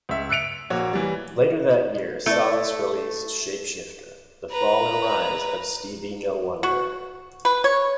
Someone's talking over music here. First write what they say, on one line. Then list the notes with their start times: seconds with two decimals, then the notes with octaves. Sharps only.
Later that year Salas released "Shapeshifter: The Fall and Rise of Stevie No-Wonder".
0.09 C#2 E5
0.29 E6 F#6 C#7 D7 F7
0.70 A#1 A#3 F#4 C#5
0.93 E3 G3
2.26 A3 E4 D5
4.51 B4 A#5
6.63 F#4
7.45 B4
7.64 C#5